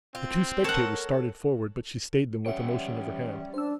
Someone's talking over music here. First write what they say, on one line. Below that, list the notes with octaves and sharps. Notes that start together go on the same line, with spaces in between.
The two spectators started forward, but she stayed them with a motion of her hand.
C4 F4
A4 A#4 C#5 F#5
E3 G3 C#4 C#5 E5 F#5 G5
D4 C5 E6